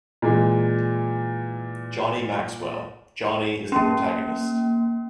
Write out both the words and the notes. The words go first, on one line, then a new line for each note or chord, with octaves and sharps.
Johnny Maxwell - Johnny is the protagonist.
A#2 E3 G#3
A#3 C#4